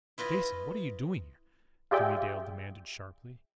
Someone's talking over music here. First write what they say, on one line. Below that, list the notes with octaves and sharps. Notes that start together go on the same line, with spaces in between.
"Jason, what are you doing here?" Jimmie Dale demanded sharply.
E4 F4 B4 D#5
F4 G4 G#4 D5 E5 G5